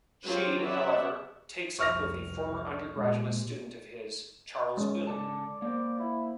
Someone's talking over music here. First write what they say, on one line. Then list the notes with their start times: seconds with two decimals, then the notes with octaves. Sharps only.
She, however, takes up with a former undergraduate student of his, Charles Boon.
0.24 F#3 G3 C4 F4 G4 G#4
0.60 C#4 B4 D5 E5 F#5
1.79 F1 C2 C#6 F6 A#6
2.92 A#2 G#3
4.77 G#3 C#4
5.07 C#3 A4 D5 A5
5.62 A#3 C5 D5
5.99 E4